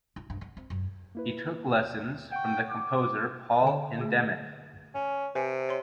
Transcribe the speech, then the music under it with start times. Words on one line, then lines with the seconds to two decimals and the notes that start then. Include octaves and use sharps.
He took lessons from the composer Paul Hindemith.
0.16 E4
0.30 G2
0.41 B3
0.57 C4
0.70 F#2
1.15 A#3 E4 B4
1.73 D#2
2.32 F#5 G5 C#6
2.70 D6
3.63 D3 G5
3.99 A3 G#4
4.95 C#4
5.35 C3 B4 C5 G#5
5.69 C#5 C6